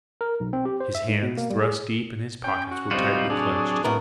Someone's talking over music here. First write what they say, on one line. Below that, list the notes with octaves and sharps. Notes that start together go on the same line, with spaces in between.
His hands, thrust deep in his pockets, were tightly clenched.
A#4
B1
C4
G4
C5
E5
G#2
B2
A#3
G3
G#4
C#4 G5
F#4
D1 C3 G3 C4 D#4 F4 F#4
F#3 D4 G#4
A2 B3 A#4